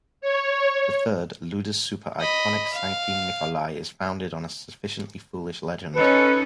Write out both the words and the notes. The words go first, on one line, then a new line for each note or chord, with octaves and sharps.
The third, "Ludus super iconic Sancti Nicholai", is founded on a sufficiently foolish legend.
C#5
D#5 B5
F5
C#4 D#4 A4 B4